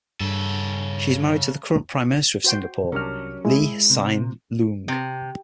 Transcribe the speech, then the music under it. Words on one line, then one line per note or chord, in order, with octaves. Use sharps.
She is married to the current Prime Minister of Singapore, Lee Hsien Loong.
G2 C#3 A4
F#4 C5 G5
C2 F#3 C#4 D4 G4 A#4 F6
G#3 E4 G#4
C3
C3